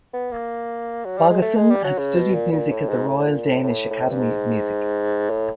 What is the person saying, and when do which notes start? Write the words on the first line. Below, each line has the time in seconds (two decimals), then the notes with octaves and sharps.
Bogason has studied music at the Royal Danish Academy of Music.
0.13 B3
0.32 A#3
1.05 F#3
1.17 G3
1.30 G#3
1.42 A3
1.56 G#3
1.70 G3
1.84 F#3
1.98 C#3
2.16 B2
2.34 A#2
2.52 A#2
2.71 A2
2.89 G#2
3.08 A2
3.19 A2
3.27 A#2
3.46 A2
3.63 A2
3.90 A2
4.10 G2
4.19 G#2
5.30 A2